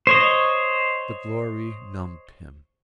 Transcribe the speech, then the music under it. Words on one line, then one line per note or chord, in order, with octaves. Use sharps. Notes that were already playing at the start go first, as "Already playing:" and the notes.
The glory numbed him.
C5 C#5 D#5